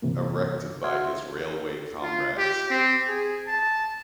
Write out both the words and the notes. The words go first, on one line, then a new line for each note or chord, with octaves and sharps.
Erected by his railway comrades.
G2 C3 E3 A#3
F#4 E5 F#5 C6 F6 G#6
F4
G4
C4
G#4
A5